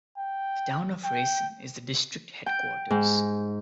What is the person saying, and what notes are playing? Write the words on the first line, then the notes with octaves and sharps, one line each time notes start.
The town of Raisen is the district headquarters.
G5
G5
G5
G#2